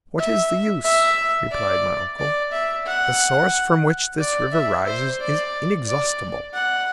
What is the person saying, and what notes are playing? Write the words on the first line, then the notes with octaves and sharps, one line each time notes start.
"What is the use," replied my uncle, "the source from which this river rises is inexhaustible."
E5
E5
D5
D5
E5
F#5
D5
E5
C5
D5
D5
F#5